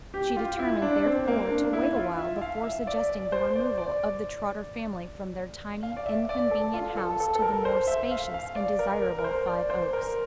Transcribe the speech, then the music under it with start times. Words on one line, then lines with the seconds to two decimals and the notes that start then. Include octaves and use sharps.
She determined, therefore, to wait awhile before suggesting the removal of the Trotter family from their tiny, inconvenient house to the more spacious and desirable Five Oaks.
0.14 G4
0.37 F4
0.59 E4
0.82 D4
1.05 C4
1.28 A#3
1.50 D4
1.73 E4
1.96 F4
2.19 E5
2.41 F5
2.64 E5
2.87 D5
3.09 D5
3.32 C5
3.55 D5
3.78 D5
5.83 F5
5.97 D5
6.06 E5
6.29 D5
6.51 A4
6.74 F4
6.97 A4
7.20 A4
7.35 A4
7.42 A#4
7.65 C5
7.87 E5
8.11 F5
8.34 F5
8.56 D5
8.79 A#4
9.02 A#4
9.19 A#4
9.24 C5
9.47 D5
9.70 C5
9.93 A#4